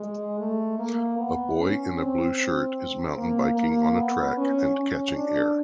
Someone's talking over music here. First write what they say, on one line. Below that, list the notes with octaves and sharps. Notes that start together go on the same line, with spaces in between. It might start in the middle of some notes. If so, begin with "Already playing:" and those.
A boy in a blue shirt is mountain biking on a track and catching air.
Already playing: G#3
A3
A#3
B3
C#4
C4
A#3
A#3
B3
C#4
C#4
D4